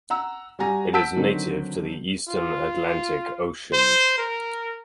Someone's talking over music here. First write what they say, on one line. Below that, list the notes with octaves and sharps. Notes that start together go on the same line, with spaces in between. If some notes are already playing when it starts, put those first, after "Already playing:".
It is native to the eastern Atlantic Ocean.
F#5 A#5 E6
G3 F#4 G4 G#5 A#5 A#6
F#5 A5 E6 G6 B6 D7
D3 D#3 F#3 C4 D#4
F4
C5
A#4